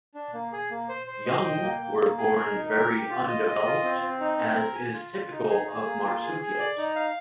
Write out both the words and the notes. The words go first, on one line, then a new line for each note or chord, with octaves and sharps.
Young were born very undeveloped, as is typical of marsupials.
D4
A#3
G#4
A#3
C5
C5
D#5
G5
A#3
A#3
A#3
G#4
A#4
D#4
A#4
G4
F4
D#5
D#5
F4
C4
C4
D#4
C4
A#4
G#5
F4
F4
D#4
G#4
G#4
A#3
F4
G#4
G#4
D5
D#4
F5